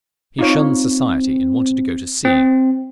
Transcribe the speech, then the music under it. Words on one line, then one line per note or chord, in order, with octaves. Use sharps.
He shunned society and wanted to go to sea.
C4 D#4 F4 C#5
C4